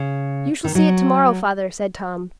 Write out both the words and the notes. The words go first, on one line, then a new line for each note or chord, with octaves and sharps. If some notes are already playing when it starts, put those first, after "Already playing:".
"You shall see it to-morrow, father," said Tom.
Already playing: C#3
D#3
F#3